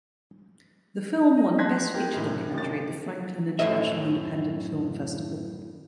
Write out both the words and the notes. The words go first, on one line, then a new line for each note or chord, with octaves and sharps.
The film won Best Feature Documentary at the Franklin International Independent Film Festival.
D#5
A5 C6 F#6 G#6 A#6 B6
D#4 G4 A#4
F#2 A2
C3
G#1 D#2 A6
F#2 A2 E4 D#5 E5